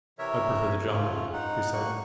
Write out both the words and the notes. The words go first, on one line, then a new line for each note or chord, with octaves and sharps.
"I prefer the jungle," he said.
C3 E3 A#4 C#5 E5
G#2 C#3 A3 F4
D#4 F#5
G2 A#3 C#6 F#6